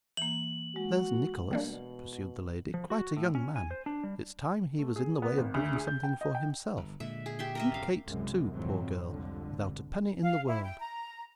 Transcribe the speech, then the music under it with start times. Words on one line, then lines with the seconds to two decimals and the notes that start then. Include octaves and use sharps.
'There's Nicholas,' pursued the lady, 'quite a young man--it's time he was in the way of doing something for himself; and Kate too, poor girl, without a penny in the world.
0.17 E3 A#3 F#7
0.76 G#3 F#4
1.51 B2 G3 A#3 D4
2.74 F3
2.90 F#4
3.17 A2
3.35 C#4
3.56 G#5
3.71 C5
3.86 D4
4.04 G3
4.79 A3
4.96 G#4
5.22 B3
5.38 G#1
5.54 D2
5.76 G#4
5.87 G6
6.03 G5
6.21 D#5
6.35 G5
6.77 G1
7.00 A#2 D3 G#3 E5
7.26 G#4
7.39 G4 E5 C6
7.55 A#4 D#5 E5
7.74 B1 F#2 F5
8.05 C2 F#2 C3 G#3
8.53 G#1 F2 B2 E3 F#3 C4
9.06 C2 F2 G#2 D3
10.22 F5
10.47 E4
10.63 G5
10.80 A#5